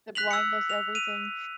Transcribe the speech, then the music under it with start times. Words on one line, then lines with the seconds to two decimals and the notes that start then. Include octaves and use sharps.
The blindness, everything.
0.15 F#6 B6 F7 F#7
0.31 E6 C#7
0.70 F7
0.95 D#7 F7